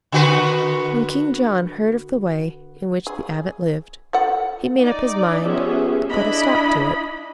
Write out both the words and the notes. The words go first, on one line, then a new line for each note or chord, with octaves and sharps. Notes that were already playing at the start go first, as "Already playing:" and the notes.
When King John heard of the way in which the abbot lived, he made up his mind to put a stop to it.
D3 F#4 B4
G#4
F4 A4 F#5
D#4 D5
F3 B3 C#4 G4 G#4 E5
D4 E4 D#5 B5